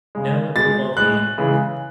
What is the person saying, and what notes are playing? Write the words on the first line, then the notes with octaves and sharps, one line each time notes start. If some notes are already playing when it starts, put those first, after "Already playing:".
No one will bother you.
C#3 G#3
B2 G#3 A6
A2 G#3 F#6
C#3 E3 G#3